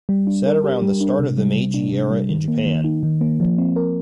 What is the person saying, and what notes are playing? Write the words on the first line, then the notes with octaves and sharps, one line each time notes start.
Set around the start of the Meiji era in Japan.
G3
D4
A#4
G4
G3
D4
C3
G3
C3
D4
C3
G3
D#3
A#3
D#3
D#4
D#3
A#3
F3
C4
A#4